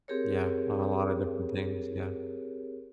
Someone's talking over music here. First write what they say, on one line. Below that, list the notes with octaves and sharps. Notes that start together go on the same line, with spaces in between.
Yeah, on a lotta different things, yeah.
C4 G4 G#4 A#4 C#5